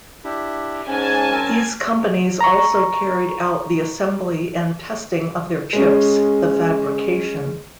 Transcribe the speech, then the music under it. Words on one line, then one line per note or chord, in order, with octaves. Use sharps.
These companies also carried out the assembly and testing of their chips, the fabrication.
D4 E4 G4
G#2 G#3 C#4 G#5 A5
F#3 C4 A#4
A#5 C#6
G#3 C#4